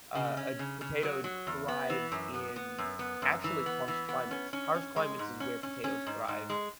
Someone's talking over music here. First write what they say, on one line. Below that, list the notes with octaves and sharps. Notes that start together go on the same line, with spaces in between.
Uh, a potato thrives in actually harsh climates Harsh climates is where potatoes thrive,
C#3
C#4
C#3
C#3
F#3
F#3
E2
B3
E3
F#2
B3
B3
F#2
B3
F#2
E3
B3
E3
B3
C#4
C#4
C#4
G#3
G#2
C#4
C#4
C#4
G#2
G#2
G#3